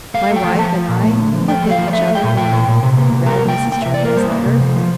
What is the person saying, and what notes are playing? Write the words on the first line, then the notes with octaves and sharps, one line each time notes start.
My wife and I looked at each other when we had read Mrs. Germaine's letter.
A3 F5
A3
G5
F3
F3 A5
F3
A#2
A3
D3
F3
A3 G5
A3
F5
F3
D5
A3 E5
A3
G5
A#2
A3 G5
A#2
A#2
C3
A#3
C3
G3 A#4
A#3
G5
A#3
A#3 G5
E5
C3
D5
A#3 A#4
G3 C5
A#3
C3
F3
F3